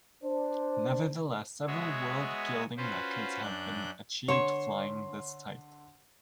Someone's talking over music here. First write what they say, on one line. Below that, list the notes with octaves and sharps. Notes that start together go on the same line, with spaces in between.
Nevertheless, several World Gliding Records have been achieved flying this type.
D4 C5
G#3 B3 F#4 G#4 C#5 E5
C#4 F4 F#4 B4 C5
F#2 D4 F#6 G6
D3 C#5 C6 E7